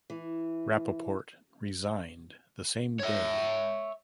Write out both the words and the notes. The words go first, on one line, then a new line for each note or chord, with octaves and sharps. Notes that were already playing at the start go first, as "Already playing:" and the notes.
Rapoport resigned the same day.
E3
C#5 E5